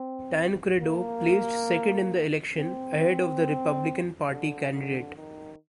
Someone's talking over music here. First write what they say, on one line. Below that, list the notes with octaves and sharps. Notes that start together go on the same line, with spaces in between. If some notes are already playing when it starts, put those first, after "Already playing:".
Tancredo placed second in the election, ahead of the Republican Party candidate.
Already playing: C4
A#3
C4
D3
D3
D#3